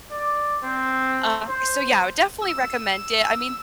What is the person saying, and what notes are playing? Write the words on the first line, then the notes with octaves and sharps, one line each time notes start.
Uh, so yeah, I would definitely recommend it. I mean,
D5
C4
C5
E6